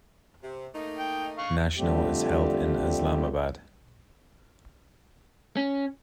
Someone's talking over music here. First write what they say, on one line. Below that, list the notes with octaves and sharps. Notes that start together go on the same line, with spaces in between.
National is held in Islamabad.
C3
A3 A#3 D#4
G5
F5 C#6
F2 D3 G3 A3 C4 G4
C#4